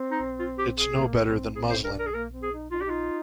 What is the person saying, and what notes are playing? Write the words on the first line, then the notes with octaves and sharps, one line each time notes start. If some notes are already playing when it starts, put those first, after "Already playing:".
It’s no better than muslin.
Already playing: C4
D#4
F4
G4
G#4
A#3
C4
C4 G#4
C5
D4 A#4
A#4
G#4
A#3 A#4
C4
G#4
D#4
D#4 F4
D4 G4
D#4 F4